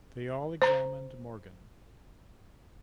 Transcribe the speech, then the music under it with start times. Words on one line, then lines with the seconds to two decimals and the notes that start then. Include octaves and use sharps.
They all examined Morgan.
0.62 C5 A#5